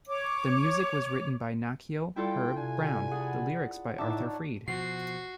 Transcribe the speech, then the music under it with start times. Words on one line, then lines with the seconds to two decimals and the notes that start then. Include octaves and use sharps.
The music was written by Nacio Herb Brown, the lyrics by Arthur Freed.
0.08 C#5 D6
2.16 G3 E4 F4 A4 G5
2.57 C3 D4 G#5
3.11 G#4 F#5 A5 B5
3.98 A2 D4 D#4 C#5 E5 A5 D6
4.68 B2 F3 F#4 C7